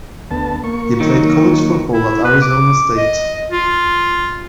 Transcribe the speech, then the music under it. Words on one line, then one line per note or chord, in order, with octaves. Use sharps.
He played college football at Arizona State.
D2 B3 A5
A#3 C#6
D#3 F#3 D#4
E4
B4
D6
D#5
F4